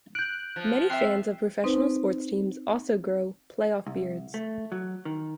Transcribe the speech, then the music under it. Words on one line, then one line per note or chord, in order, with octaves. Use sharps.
Many fans of professional sports teams also grow playoff beards.
F#6 G6 D7
F3
C4 E5 F#6 C7
C4 D#4 B4 C5
C2
A3
F#3
D#3